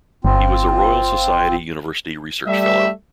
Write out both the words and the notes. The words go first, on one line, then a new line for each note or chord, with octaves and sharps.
He was a Royal Society University Research Fellow.
G1 C4 F4
G3 A3 E5